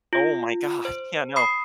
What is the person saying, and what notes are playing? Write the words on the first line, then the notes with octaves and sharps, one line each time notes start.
Oh my god, yeah, no.
F4
C5
B5 D#6 C7